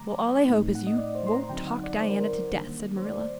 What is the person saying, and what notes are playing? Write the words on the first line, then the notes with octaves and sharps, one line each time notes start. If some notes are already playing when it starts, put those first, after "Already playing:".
"Well, all I hope is you won't talk Diana to death," said Marilla.
Already playing: D3 F#3 A3 A#5 D6
A2 A3 C4 D#4
F#5
D#5
D5
C5
C6
A#5
D3 F#3 C4 D#4 G5
F#5
D5
C5
A#4
C5
D#3 G3 A#3 D4
C5
D5